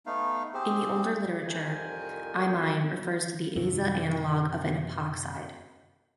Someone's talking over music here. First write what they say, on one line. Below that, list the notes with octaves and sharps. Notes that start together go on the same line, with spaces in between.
In the older literature, imine refers to the aza analogue of an epoxide.
A3 B3 D#4 F5
C4 G4 G#4 C5
C2 F2 D#3 F3 G5 G#5
F#2 C3 D#3